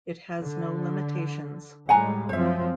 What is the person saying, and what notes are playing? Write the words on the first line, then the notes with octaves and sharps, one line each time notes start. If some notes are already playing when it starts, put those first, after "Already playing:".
It has no limitations.
D3
A2 G3 G#3 F#5 G#5 A#5
F#2 F3 C4 C5 E5